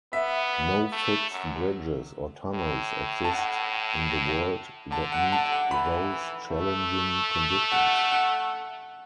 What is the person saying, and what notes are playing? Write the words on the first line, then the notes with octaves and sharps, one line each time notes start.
No fixed bridges or tunnels exist in the world that meet those challenging conditions.
B3 E5
A3
F#2
A2
A5
F#5
D3 A5
F#5
A5
F#5
E3 B5
A3
F#5
F#5